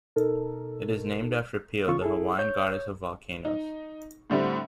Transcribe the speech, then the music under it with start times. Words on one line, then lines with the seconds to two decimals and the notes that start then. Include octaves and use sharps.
It is named after Pele, the Hawaiian goddess of volcanoes.
0.16 B2 D#4 A4 A#4
1.87 E2 C#3 F4 C#6
2.02 E4 G#4 A4
2.39 C#5 G6
3.45 D#4
4.30 A2 D3 G3 A3 C4